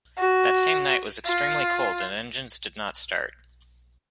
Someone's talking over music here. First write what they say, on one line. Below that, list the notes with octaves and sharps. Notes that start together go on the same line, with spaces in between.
That same night was extremely cold and engines did not start.
F#4
F4